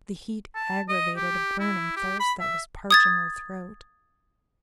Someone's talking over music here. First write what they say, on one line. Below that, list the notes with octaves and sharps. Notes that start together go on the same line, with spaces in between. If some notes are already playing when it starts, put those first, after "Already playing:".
The heat aggravated a burning thirst that was parching her throat.
A5
D#5
G4
E4
G4
B5
E5
D#6 G#6 A6